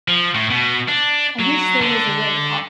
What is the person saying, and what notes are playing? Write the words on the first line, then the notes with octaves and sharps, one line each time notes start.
I wish there was a way al
F3
A2
B2
D4
F#3
D3